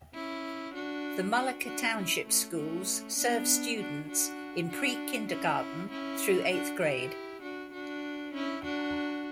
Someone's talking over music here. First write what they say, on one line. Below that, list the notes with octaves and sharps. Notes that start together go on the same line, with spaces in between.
The Mullica Township Schools serve students in pre-kindergarten through eighth grade.
C#4 E4
D4 F#4
D4 F#4
D4 F#4
C#4 E4
A3 C#4
A3 C#4
B3 D4
D4 F#4
D4 F#4
D4 F#4
C#4 E4
C#4 E4
D4 F#4
E4 G4
D4 F#4
D4 F#4
C#4 E4
D4 F#4